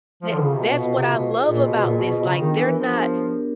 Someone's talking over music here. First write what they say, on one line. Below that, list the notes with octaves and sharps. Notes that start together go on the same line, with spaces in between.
That that's what I love about this, like, they're not,
F3 F4 A4 C5 F5
D3
C#3
C3
B2
B2 F4 A4 C5 F5
C3
B2
F4 G#4 C5 D#5
A#2
B2
B2
A#2 F4 G#4 C5 D#5
B2
B2
C#3
D#3 B3 D4 G4 A#4 C#5
E3
F3
B3 D4 G4 A#4 C#5